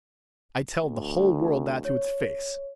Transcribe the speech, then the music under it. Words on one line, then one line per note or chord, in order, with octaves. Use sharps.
I tell the whole world that to its face!
D2
C#5